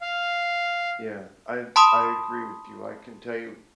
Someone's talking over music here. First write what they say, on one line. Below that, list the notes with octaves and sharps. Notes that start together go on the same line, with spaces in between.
Yeah, I I agree with you, I can tell you
F5
A5 B5 C6 D#6